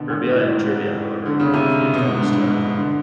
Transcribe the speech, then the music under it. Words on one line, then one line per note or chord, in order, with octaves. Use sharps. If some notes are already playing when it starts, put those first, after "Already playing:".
Erbia and terbia, however, were confused at this time.
Already playing: B2 D3 D#3
A#2
A2
A2
G#2
D3
C#3
C3
B2
G#2
G2
G#2
D3